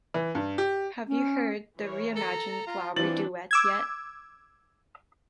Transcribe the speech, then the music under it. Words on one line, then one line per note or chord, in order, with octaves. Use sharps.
Have you heard the re-imagined Flower Duet yet?
E3
G2
G4
C#4
E3 A#4 C#5
A4 A#5
F4
E3 F3 C4 D4 A6 F#7
D6 E6 G#6